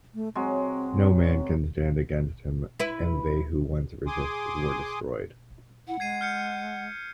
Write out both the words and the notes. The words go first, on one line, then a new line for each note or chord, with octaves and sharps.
No man can stand against him and they who once resisted, were destroyed.
A3
F#3 G#3 C4
E4 B4
G#4 G#5 C6 D6 D#6
E4 F#5
G#3 G#6 C7 D#7
F6 G6 C#7